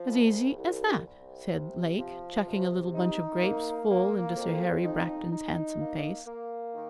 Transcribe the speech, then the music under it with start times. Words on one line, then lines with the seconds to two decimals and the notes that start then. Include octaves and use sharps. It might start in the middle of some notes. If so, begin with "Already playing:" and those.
'As easy as that,' said Lake, chucking a little bunch of grapes full into Sir Harry Bracton's handsome face.
Already playing: F3
0.09 C2
0.56 C2
1.05 C2
1.52 C3
1.99 F3
2.46 C3
2.95 D#4
3.42 A#3
3.90 A#3
4.37 F2
4.85 D#4
5.31 D#4
5.80 A#3
6.27 A#3
6.74 D#3